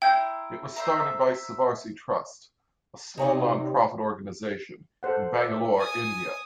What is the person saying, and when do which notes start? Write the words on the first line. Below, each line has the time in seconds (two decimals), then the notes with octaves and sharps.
It was started by Sivasri Trust, a small non-profit organization, in Bangalore, India.
0.02 E4 G5 A#5 C6 G6
0.76 C5 E5 A#5
3.17 C3 D#4 C#5 D5
5.03 A4 C5 F#5
5.34 D5 E5
5.77 G#5 D#6